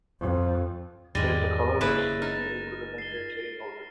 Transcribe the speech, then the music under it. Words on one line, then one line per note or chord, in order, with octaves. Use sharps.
It is a colourless, fuming liquid with an irritating odour.
F2
E2 G#2 D#3 G3 G#3 A6 A#6 D#7
F#1 C#3 A#3 E4 B4 E7
D#4 F6 A6
C7 G7